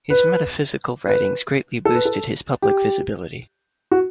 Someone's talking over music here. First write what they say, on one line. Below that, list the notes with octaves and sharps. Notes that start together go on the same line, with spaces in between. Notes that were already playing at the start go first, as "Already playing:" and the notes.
His metaphysical writings greatly boosted his public visibility.
B4
B4
A4
B4
A4
G4
F#4